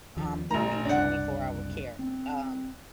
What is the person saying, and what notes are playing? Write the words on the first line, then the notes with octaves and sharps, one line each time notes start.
um, they need twenty-four-hour care. Um,
D#2 F3
A1 A#2 A3 A#5
F#1 C2 D4 F#5
C4